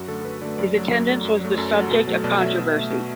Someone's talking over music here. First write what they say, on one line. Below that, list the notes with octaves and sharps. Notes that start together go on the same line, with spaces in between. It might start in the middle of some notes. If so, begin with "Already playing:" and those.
His attendance was the subject of controversy.
Already playing: F#2 F#4
D3 A3 A4
A4
F#2 B4
D3 A3 D5
F#2 D5
F#3 A3
F#2
F#3 A3
F#2
F#3 A3
F#2 A4
A4
F#3 A3
F#4
B2 A4
F#3 A3
B2 D5
F#3 A3 E5
B2
A3
B2